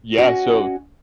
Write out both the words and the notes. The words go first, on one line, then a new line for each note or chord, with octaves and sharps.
Yeah, so,
C#4 F#4 D#5 F#5 G#5